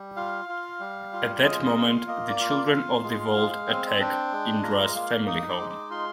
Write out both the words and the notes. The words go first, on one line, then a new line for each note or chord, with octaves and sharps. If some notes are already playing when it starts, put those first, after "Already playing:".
At that moment, The Children of the Vault attack Indra's family home.
Already playing: G3
F4 F5
F4
G3
F4
G#3 D#5
D#5
F4
F5
A#3 D#5
D5
F4
D5
F4 F5
G#3
G#3
C4
D4 G5
G#3
F4 A#5
A#3 F5
D#4 D#6
D6
G#3
D6
F4 C6